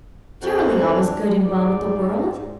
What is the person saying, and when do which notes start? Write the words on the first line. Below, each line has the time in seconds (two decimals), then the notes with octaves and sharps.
Surely all was good and well with the world!
0.42 F2 F#4
0.79 D4
1.43 G#2 D5